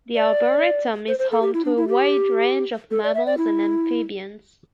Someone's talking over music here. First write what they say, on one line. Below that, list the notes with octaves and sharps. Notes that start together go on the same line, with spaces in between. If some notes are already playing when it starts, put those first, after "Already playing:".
The Arboretum is home to a wide range of mammals and amphibians.
D5
C5
C5
A4
G4
E4
D4
E4
G4
A4
D5
E5
D5
E4